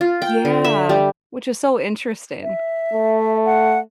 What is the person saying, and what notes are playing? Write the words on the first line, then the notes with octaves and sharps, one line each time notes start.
Yeah, which is so interesting.
F4
G5
D3
E5
G3
E5
A3
F#5